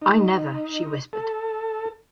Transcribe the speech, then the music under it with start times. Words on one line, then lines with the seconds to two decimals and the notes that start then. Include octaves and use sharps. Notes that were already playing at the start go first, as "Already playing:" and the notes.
"I never," she whispered.
0.02 D#4
1.13 A4